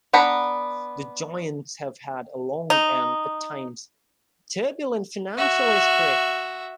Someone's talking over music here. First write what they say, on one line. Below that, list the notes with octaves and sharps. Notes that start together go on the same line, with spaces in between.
The Giants have had a long and, at times, turbulent financial history.
B3 D4 F#5 A#5 B5
D#4
F#4 E5